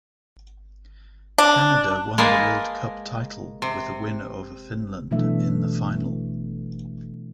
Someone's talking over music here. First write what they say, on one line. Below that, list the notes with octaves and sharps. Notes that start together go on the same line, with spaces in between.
Canada won the World Cup title with a win over Finland in the final.
D4
G#3 A#3 A#4 B4 A5
C3
B2 E3 F#3 A3 D4 E5